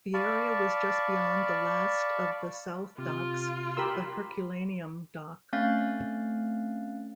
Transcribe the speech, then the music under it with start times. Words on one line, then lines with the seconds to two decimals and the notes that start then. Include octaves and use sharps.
The area was just beyond the last of the South Docks, the Herculaneum Dock.
0.14 D5 F5 A5 B5 C#6
2.98 C3 F4
3.77 G4 A#4 B5 C6 E6
5.53 A3 C4 C#4 F5 F#6 A6